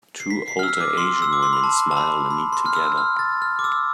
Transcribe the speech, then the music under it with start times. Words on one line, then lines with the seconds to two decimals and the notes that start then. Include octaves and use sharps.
Two older Asian women smile and eat together.
0.20 C7
0.30 B6
0.48 C7
0.59 F6
0.63 E6
0.81 D6
0.98 C6
1.22 E6
1.33 D6
1.43 C6
1.53 B5
1.64 A5
1.91 A5
1.97 B5
2.31 B5
2.52 C6
2.66 F6
2.75 E6
2.98 F6
3.19 A6
3.42 F6
3.59 D6
3.64 E6